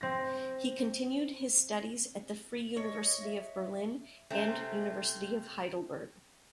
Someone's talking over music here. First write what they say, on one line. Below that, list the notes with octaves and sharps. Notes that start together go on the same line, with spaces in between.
He continued his studies at the Free University of Berlin and University of Heidelberg.
C4 A#6
C#5 D#5
E5
C3 A3 C4 C#4